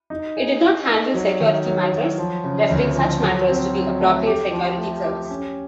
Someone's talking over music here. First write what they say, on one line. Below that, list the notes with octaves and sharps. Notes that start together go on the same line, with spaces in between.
It did not handle security matters, referring such matters to the appropriate security service.
D#4
G#4
D#4
D#4
F#3
D#3
F#3
F#3
F3
C#3
D2
F3
F#3
C4
F#3
A3
G4
F3
A3
G4
C#4